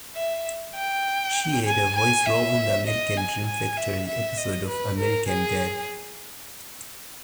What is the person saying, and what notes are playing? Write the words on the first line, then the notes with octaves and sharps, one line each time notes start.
She had a voice role on the "American Dream Factory" episode of "American Dad!".
E5
G5
G#5
G#5
E5
D#5
G#5
G#5
E5
E5
D#5
B4
A#4
G#4